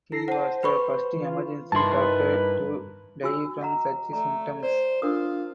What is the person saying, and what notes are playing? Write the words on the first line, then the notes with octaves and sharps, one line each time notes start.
He was the first emergency doctor to die from such symptoms.
E4 A4 A#6 C7
C5 F#5 A5
B4 B5 C#6
E3 F4
G2 D#4 E4 A#4 B4 A5 C6
F#4 G#5 E6
D#5 F#5 A#5
A3 D5 A#5
C5 D5
D4 F4 A#4 D#6